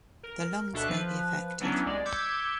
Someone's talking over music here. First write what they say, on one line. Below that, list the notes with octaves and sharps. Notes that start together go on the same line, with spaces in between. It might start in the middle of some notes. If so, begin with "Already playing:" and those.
The lungs may be affected.
A#4
D2 B2 D4 A4 E5 F#6
F3 B4
E3 F#3 B3 C#4 D4 E4
C2 G#3 D5
D6 E6 G6 G#6 B6 C#7